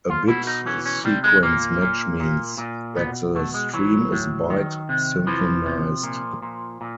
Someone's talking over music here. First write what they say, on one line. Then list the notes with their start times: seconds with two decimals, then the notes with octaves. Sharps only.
A bit-sequence match means that the stream is byte-synchronized.
0.09 F4
0.28 B2 E4
0.47 D#4
0.66 E3 C#4
0.86 C#4
1.04 C3 G3
1.24 G#3
1.43 A#2 A#3
1.82 A#2
2.20 A#2
2.58 A#2
2.96 B2 B3
3.35 B2 A3
3.54 G#3
3.73 E3 F#3
4.12 A2
4.50 D#3
4.89 C3
5.27 E3 F3
5.66 C3
6.03 A#2
6.42 A#2
6.81 A#2